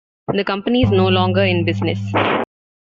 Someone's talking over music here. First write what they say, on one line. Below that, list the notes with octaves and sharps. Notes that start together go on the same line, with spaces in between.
The company is no longer in business.
G#2 G3